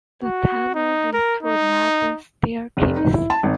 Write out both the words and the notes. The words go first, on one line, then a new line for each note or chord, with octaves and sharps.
The tunnel leads to another staircase.
F#4
D#4
A#4
D#4
F1
D#4
E4
A5
G#1